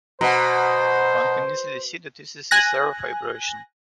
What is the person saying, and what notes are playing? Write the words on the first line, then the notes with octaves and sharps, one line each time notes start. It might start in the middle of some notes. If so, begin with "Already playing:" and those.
One can easily see that this is a Serre fibration.
B2 C5 F#5 A#5
G#5 F#6 A#6